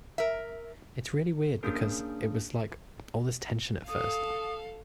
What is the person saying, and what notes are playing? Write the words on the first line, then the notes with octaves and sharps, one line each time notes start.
It's really weird because it was like all this tension at first.
A#4 E5
A#3 C#4 D4 G#4 A#4
A4 F5 D#6